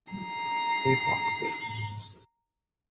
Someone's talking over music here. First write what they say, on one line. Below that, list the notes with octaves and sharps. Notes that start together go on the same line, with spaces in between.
Hey Foxy!
A#5 C7